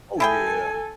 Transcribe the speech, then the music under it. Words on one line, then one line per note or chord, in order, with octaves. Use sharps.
Oh, yeah.
E4 G#4 A4 G5 G#5